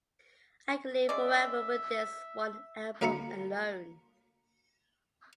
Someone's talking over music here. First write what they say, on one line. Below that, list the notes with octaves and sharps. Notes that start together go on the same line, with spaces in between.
I could live forever with this one album alone.
G#3 C#4 D5 E5
D2 A#3 D5 A#5 B5 C#6